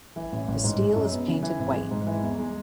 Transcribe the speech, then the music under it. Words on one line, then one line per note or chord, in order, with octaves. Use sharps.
The steel is painted white.
E3
A1
A1
G#2
G#3
F#2
B3
C#3
E3
G#1
G#3
G#2
E3
E2
G#3